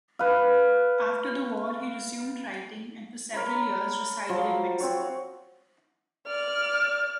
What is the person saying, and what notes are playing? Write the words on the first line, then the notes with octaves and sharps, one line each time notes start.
After the war he resumed writing, and for several years resided in Mexico.
B4 F5
A#4 C#5 A#5 B5
F3 F#3
C4 F#4 C#5
D5 F6